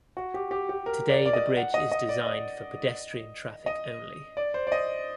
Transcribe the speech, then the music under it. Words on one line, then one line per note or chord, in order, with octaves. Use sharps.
Today the bridge is designed for pedestrian traffic only.
F#4
G4
G4
G4
A#4
D5
D5
D#5
F#5
D#5
D#5
D5
D#5
D#5
D5
C5
D5
D#5